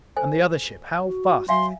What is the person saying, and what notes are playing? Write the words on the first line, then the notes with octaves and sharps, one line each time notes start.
"And the other ship--how fast is it?"
A4 C5 G#5
F#4
F#3 E5 F5 G#5 C6